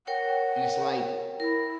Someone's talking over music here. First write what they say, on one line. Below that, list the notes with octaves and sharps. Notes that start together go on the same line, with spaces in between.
And it's like
A#4 C#5 F#5 G5
E4 A#4